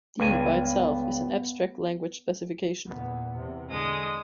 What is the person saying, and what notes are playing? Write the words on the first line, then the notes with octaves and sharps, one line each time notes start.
D by itself is an abstract language specification.
C#2 G2 B3 G#5
E2 A#2 B3
E2 C3
D3 G#3 D#6